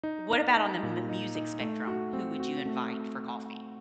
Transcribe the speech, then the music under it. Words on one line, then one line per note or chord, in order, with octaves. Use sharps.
What about on the mu music spectrum? Who would you invite for coffee?
D#4
D#4
D#4
A#2
D#4
D#4
A3
F#4
C4
F#4
A3